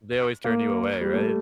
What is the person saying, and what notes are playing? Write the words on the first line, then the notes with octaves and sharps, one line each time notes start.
They always turn you away, right?
A#3
G3
A3